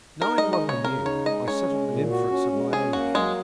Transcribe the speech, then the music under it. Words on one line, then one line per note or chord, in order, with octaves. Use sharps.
Knowing what I knew, I set up an inference of my own here.
D#4 A#4
G#3 D#5
D#5
C#3
C#5
C#3 A#4
D#4 C#5
G#3 D#5
C#4 C#5
G#3
A#2
F#4
C#4
G#3
C#4 G#4
A#3 F#4
F#3 G#3